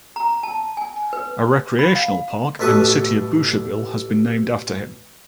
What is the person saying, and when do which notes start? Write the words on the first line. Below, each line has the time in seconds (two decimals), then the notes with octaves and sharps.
A recreational park in the city of Boucherville has been named after him.
0.16 A#5
0.43 A5
0.77 G#5
1.13 B4
1.79 B5
1.95 F5
2.59 A1 B2 A4 B4 C#6 D#6